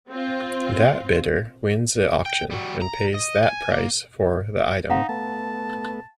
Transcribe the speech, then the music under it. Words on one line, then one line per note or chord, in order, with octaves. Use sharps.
That bidder wins the auction and pays that price for the item.
C4 F4
G5
G3 F#4
A#5
D#5
G#5
A#3
C3 A3 C4 D#4 F5 F#5 A#5
A3 B3 A5